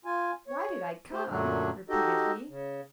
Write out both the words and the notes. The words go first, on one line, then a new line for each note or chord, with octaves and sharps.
"Why did I come?" repeated he.
F4 G#5
C#5
A3 G4 C5
F#2 A#2 D3 F#3 A3 D4
D#4 F#4 G4 A4 D#5
C#3